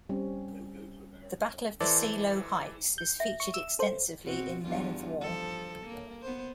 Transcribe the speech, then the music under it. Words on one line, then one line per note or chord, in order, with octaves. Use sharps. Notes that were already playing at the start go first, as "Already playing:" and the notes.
The Battle of the Seelow Heights is featured extensively in Men of War.
G3 C4 C#4
E3 A4 C5 D5 E5
G6
E5
C#6
E6 E7
A4 C5
B2 C4 F#4
E2 G2 F4
F3 A4
A#3
B3 C5